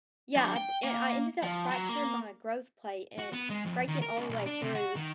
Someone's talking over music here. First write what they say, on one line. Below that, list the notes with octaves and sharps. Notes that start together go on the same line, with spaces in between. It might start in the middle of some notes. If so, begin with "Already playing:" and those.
Yeah, I br and I ended up fracturing my growth plate and breaking all the way through
F#3 D4
G5
A#3
F3
F#3
A#3
F#4
B3
G#3
F2
D#3
A#4
C#2
B1
D4
C3
F#4
D#3